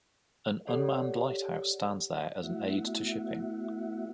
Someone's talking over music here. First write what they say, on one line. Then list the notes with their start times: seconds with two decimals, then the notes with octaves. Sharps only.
An unmanned lighthouse stands there as an aid to shipping.
0.67 G4 A4 C#5 D5 F#5
2.43 A3 B3 E4 F#4 E5 F#5